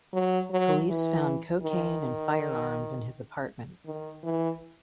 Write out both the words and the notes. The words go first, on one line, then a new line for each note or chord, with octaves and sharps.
Police found cocaine and firearms in his apartment.
F#3
F#3
E3
D#3
D#3
E3